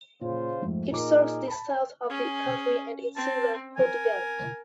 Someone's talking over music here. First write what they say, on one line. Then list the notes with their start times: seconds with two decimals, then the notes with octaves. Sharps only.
It serves the south of the country and Insular Portugal.
0.21 A#2 C#3 F4 C5
0.62 F2 G#2 A3
0.92 A#2 D#4 G#4 A#4 D6
1.47 A5 B5
2.09 C#4 G#4
3.16 C4 A5
3.76 A#4 G#5